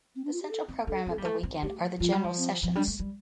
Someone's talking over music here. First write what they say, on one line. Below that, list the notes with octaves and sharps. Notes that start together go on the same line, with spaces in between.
The central program of the weekend are the general sessions.
C4
D4
F4
G4
A4
C4
D4 A4
C4 A4
G3
A3 A4
C4
A3 G4
F3 F4
G3
F3
C4
F3
G3 D4
A3
G3